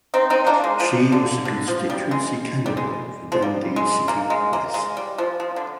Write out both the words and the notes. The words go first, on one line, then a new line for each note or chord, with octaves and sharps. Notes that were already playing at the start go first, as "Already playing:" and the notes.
She was the constituency candidate for Dundee City West.
C4 D#4
C4 D#4
A#3 D4
G#3
F3
D3
D3
F3
G3
G#3
G3
G#3
F3
G3
G#3
A#3
G#3
A#3
G#3
G3
F3
F3
D3